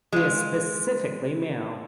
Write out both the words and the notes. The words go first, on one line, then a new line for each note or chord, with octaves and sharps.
He is specifically male.
G#3 F4